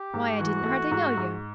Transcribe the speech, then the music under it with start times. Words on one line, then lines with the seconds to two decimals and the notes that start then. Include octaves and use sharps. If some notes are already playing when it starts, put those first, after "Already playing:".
"Why, I didn't hardly know you!"
Already playing: G4
0.14 G#2
0.39 E3 F#4
0.65 A3
0.91 G#2
1.17 G#2